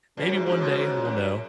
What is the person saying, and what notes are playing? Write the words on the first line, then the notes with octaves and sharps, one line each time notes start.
maybe one day we'll know.
F#2 C#3 G#3 C#4 F#4 C#5
G#2
G#2
B2
G#2
F#2